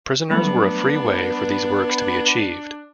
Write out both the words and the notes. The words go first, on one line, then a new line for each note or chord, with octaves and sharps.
Prisoners were a free way for these works to be achieved.
F#3 G3 A3 B3 D4